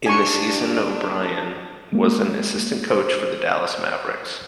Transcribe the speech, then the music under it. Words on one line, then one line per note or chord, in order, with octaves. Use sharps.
In the season, O'Brien was an assistant coach for the Dallas Mavericks.
G2 D4 G#5 C#6
G#3 A#3
C5